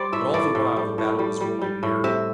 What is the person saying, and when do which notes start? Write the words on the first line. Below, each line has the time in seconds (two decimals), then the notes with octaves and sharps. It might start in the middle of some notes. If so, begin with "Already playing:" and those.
But all the while the battle was rolling nearer.
Already playing: G3 C5 D5
0.12 A2 E5
0.34 A2 D5
0.55 A2
0.76 G3
0.98 A2
1.19 G3
1.41 G3
1.62 G3
1.83 A2
2.04 C3 E5